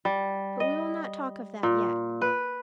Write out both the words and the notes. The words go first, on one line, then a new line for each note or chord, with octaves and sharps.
But we will not talk of that yet.
G3
D#5
A#2
B4